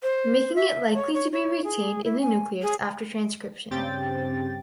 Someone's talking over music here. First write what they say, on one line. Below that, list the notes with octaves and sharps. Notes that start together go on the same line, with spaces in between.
Making it likely to be retained in the nucleus after transcription.
C5
E5
C#5
C#5
C#5
G#4
E4
G#5
G#4
G2 C#3 C4 G4 G5 A6